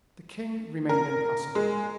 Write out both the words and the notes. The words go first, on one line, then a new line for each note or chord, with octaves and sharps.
The king remained impassible.
A#4
G#3